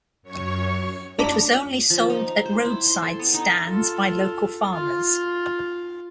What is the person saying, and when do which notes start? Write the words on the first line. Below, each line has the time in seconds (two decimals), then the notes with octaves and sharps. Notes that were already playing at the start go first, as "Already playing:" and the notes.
It was only sold at roadside stands by local farmers.
0.23 F#2 C#5 C#6
1.19 D4 A#5 B5 D6
1.90 F3
2.10 D#4
2.46 C5
2.65 E4
2.86 C6
3.02 A4
3.19 B3
3.34 D#4
3.66 F4 A4
4.73 F4